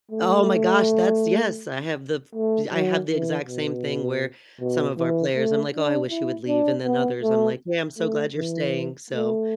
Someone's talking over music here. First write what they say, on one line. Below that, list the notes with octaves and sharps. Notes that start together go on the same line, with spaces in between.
Eh, oh my gosh, that's yes, I have the f I have the exact same thing where some of our players I'm like, "Oh, I wish he would leave," and then others, I'm like, "Yeah, I'm so glad you're staying," so
A3
A3
F#3
E3
B2
B2
E3
A3
D4
E4
D4
B3
A3
A3
E3
A3